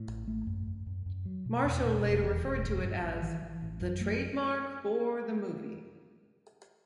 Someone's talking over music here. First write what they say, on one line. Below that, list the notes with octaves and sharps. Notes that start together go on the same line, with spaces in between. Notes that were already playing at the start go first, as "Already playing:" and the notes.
Marshall later referred to it as "the trademark for the movie".
Already playing: A2
A1
A3
F#2
F#2
F#2
F#2
F#3
B2
E2
B2
E1
E2
E1
A1
G2
A1
E3
E3
A1
F#2
A3